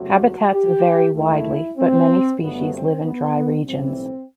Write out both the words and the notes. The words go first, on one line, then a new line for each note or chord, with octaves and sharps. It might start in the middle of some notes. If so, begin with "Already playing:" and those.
Habitats vary widely, but many species live in dry regions.
Already playing: F#1 E2 C3 F#3 A3 F#4
G4
D#2 D#3 A3 E4
C4
G1 G2 F#3 A3 B3
C4
B3
B1 A2 E3 G3 C4